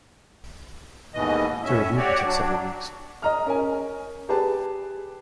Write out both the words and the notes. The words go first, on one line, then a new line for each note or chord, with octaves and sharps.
The review can take several weeks.
D#2 G#2 B2 E3 D#5
A2 C#4 E5
F#4 G4 C#5 D5
F#3 D4
D#5 A#5 F6
C#4 A#4 G#5
G4 G#4 B4 A5